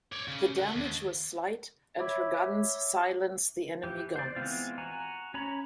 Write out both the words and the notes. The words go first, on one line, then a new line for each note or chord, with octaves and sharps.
The damage was slight, and her guns silenced the enemy guns.
C#5 D5
C#3
A3 F#5
D#2
C#5 E5 B5 D6 E6 G#6
E3 G4
C5 D5
E3 G#3 B3 C4 F4
F#4 G#5 A#5
C#4 C#5 A#5 B5